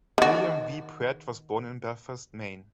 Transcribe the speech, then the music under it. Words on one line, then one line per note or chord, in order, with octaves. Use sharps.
William V. Pratt was born in Belfast, Maine.
D#3 F#4